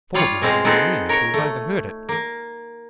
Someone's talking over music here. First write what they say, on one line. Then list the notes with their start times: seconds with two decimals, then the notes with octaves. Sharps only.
Ford must have been near to have overheard it.
0.14 G3 F4 C#5 F5
0.42 B2 G#3 C4 F5
0.65 B3 C4 D#4 G#4 A4
1.09 A#4 C#5
1.34 A3
2.09 A#3